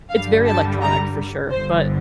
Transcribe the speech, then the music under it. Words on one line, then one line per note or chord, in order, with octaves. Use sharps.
it's very electronic for sure, but
G2 D3 G3 F5
A5
A#5
G1 G2 D3 C5